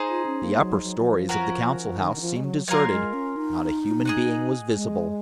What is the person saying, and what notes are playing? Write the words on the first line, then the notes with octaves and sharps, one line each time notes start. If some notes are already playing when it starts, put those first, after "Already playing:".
The upper storeys of the Council House seemed deserted, not a human being was visible.
Already playing: D#4 G#4 C5
F4
C#4
A#3
F#3
F#3
F#3
F3
C#4 F#4 A#4
D#3
D#3
F3
G#3
F#3
F#3 F4 A#4 F5 G#5
G#3
C#4
D#4
G#4 D#5 F#5
G#3